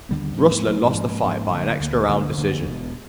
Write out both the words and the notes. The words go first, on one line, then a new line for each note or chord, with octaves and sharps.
Ruslan lost the fight by an extra round decision.
D#2 D3 G3 B3
G#2 F3 A#3 C#4
G#2 F3 A#3 C#4
G#2 F3 A#3 C#4
G#2 F3 A#3 C#4
D2 D3 F#3 A#3
D2 D3 F#3 A#3
D2 D3 F#3 A#3
D2 D3 F#3 A#3
E1 E2 B2